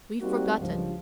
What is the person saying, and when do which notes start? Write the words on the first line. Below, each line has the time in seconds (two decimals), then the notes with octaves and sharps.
We've forgotten.
0.21 G3 A#3 C4 D#4 F#4 G4
0.59 C#2 G2 F3